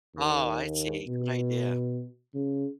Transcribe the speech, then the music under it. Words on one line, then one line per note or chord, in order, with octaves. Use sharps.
Oh, I see, good idea.
D#2
B2
C#3